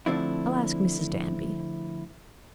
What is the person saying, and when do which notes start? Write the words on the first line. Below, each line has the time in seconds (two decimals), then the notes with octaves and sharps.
I'll ask Mrs. Danby.
0.06 D3 F3 A3 C4 D4 E4